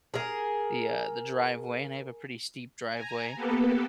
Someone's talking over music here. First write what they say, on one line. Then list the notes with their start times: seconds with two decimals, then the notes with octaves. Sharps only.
the, uh, the driveway, and I have a pretty steep driveway,
0.14 G#4 A#4
2.92 G#5 A#5
3.35 A#3 B3 G4 A4 B4